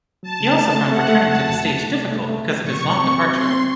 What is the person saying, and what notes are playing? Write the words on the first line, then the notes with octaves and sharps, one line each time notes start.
He also found returning to the stage difficult because of his long departure.
F#3 A5
C#3
A3
A3
A3 F#5
A3
F2 A5
F#3
C2
A3
C2
A3
A3
F3
A#2 C#6
C2
C4
F#3
C4 C6
C4